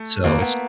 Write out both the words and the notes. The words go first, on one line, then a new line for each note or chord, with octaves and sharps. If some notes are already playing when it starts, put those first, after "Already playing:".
so it's
Already playing: A3
D#2 A#3
B3